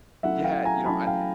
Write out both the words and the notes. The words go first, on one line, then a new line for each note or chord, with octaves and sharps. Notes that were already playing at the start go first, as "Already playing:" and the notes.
Yeah, you know, I
F#3 A3 C#4 E4 E5 F#5
F5 G5
G#5 A#5
F#3 A3 C#4 E4 A5 B5
F5 G5